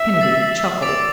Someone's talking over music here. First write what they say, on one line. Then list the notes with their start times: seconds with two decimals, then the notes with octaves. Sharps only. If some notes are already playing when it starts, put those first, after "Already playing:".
Kennedy chuckled.
Already playing: E5
0.21 E6 A6 C7
0.82 D5 D6 A6 D7 F7